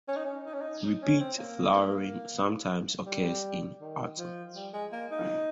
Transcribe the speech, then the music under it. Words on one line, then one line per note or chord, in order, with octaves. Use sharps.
Repeat flowering sometimes occurs in autumn.
C#4
D#4
C#4
D#4
C#4
D#4
D#4
C#4
C4
A#3
G3
D#3
F3
G3
G#3
A#3
D#4